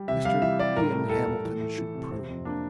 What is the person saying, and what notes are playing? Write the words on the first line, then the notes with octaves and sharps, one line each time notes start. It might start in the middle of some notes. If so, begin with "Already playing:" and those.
Mr. Ian Hamilton should prune.
Already playing: G3
C3 E5
G3 F5
E3 E5
G3 D5
A2 A#4
A3
A2 A4
A2
E3
A3
E3
C3
C3 C4
F2
A#3 D4